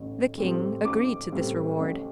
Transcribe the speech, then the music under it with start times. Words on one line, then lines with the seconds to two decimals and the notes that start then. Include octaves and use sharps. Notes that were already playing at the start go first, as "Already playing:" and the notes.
The king agreed to this reward.
Already playing: A1 A2
0.38 A2 G3 C4
0.84 A1 D6
1.32 A2 G3 C4
1.78 A1